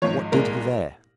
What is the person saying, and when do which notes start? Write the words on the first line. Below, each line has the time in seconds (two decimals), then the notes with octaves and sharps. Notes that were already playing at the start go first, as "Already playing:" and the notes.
What did he there?
0.02 G#1 G#2 F3 C#5
0.32 C2 A#2 G#3 A#4